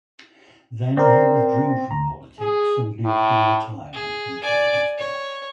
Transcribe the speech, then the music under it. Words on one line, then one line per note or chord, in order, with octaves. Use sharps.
Then he withdrew from politics, and lived in retirement until his death.
C4 A#4 C5 D5
D2 A#5
G#4
A2
G#4
D5 G#5
C#5